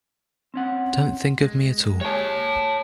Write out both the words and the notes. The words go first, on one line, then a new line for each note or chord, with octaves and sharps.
Don't think of me at all.
C4 C#4 F#5
G#3
G4 G#4 C#5 A5